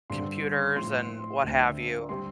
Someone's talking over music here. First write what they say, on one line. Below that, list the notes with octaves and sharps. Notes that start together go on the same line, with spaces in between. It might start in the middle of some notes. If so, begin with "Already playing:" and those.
computers and what have you,
G2 D3 G3 C4 C6
A2 F3 C4 C6
D2 D3 A3 C4
D3 G3 C4 C6